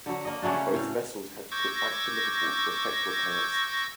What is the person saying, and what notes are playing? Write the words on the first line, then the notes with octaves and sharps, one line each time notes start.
Both vessels had to put back to Liverpool to affect repairs.
D3 F#3
A#3 D#5
C#3 F#3 A3 D4
C#4
A2 F5
C#6 D6 E6 G6 G#6 A#6